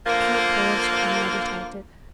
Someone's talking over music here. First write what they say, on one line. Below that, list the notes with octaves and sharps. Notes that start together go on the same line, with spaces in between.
The count paused and meditated.
D3 F3 A#3